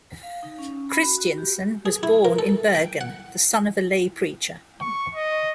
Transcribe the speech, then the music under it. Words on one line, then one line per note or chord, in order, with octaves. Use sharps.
Kristiansen was born in Bergen, the son of a lay preacher.
F5
D#4
C#4
B5
F#4
F#4
G4
G#4
E4
A#4
A4
G5
F#5
C#6
D#5